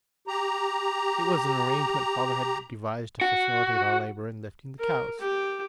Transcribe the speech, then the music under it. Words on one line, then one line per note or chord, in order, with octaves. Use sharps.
It was an arrangement father had devised to facilitate our labour in lifting the cows.
G4 A#5
F#4
A#4
G4